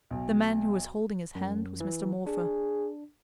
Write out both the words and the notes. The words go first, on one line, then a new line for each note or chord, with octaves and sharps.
The man who was holding his hand was Mr. Morpher.
B1
F#2
E3
D4 G#4